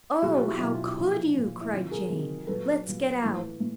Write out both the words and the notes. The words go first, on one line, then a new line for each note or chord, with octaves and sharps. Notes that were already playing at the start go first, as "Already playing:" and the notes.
'Oh, how COULD you!' cried Jane. 'Let's get out.'
B2 F#3 F#4 G#4
F4 G4
E4 F#4
B2 F#3 E4
F4
E4 F#4
A#2 F3 E4
A#2 F3
E4
C3 D#3 F#3 F4
G#4 A#4
C3 D#3 F#3
A#2 F#3 A4 B4
A#2 F#3
A2 E3
A2